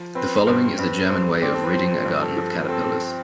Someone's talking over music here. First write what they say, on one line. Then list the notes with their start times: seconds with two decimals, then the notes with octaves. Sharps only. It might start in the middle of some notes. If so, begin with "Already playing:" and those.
The following is a German way of ridding a garden of caterpillars.
Already playing: F3
0.15 C4 B4
0.47 G2 C5
0.78 G2 B4
1.05 B4
1.10 G2 C5
1.42 C4 D5
1.55 A4
1.64 B4
1.74 F3 C5
2.05 G2
2.21 A4
2.36 F3
2.68 C4 A4